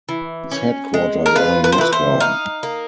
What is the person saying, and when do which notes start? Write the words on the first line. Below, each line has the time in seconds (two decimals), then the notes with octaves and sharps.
Its headquarters are in Moscow.
0.09 E3
0.52 C#4
0.94 G#3
1.26 A#4
1.36 F4 B4
1.64 B4
1.72 C5
1.78 E3 B4
1.92 C5
2.20 D#4 F5
2.63 A#3